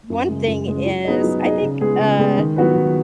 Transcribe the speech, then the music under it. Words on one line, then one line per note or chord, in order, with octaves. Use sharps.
one thing is I think, uh,
F#2
C#3 G#3
F#2
C#3 G#3
F#3
B3 D#4 G#4 D#5
F#3
B3 D#4 G#4 D#5
C#3
G#3 B3 G#4
C#3
G#3 B3 G#4
D#3
F#3 B3 F#4 B4
D#3